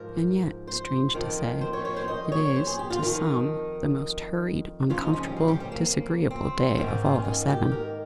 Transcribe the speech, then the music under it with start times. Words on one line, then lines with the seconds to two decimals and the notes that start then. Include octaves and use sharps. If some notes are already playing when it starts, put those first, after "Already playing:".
And yet, strange to say, it is, to some, the most hurried, uncomfortable, disagreeable day of all the seven.
Already playing: G#2 F3 A#4
0.67 C5
1.14 F2 D#3
1.61 C5
1.73 C#5
1.85 C#5
1.97 C5
2.08 D#5
2.32 C#5
2.56 C5
2.67 G#4
2.79 G4
2.90 F4
3.02 F2 D#3 D#4
4.90 F2 C#3 F3 F4
5.02 D#4
5.13 C#4
5.25 G3
5.37 F3
5.48 G3
5.60 G3
5.72 A#3
6.31 C4
6.78 G#2 D#3
7.06 C4
7.15 C#4
7.25 D#4
7.48 G4
7.72 A#4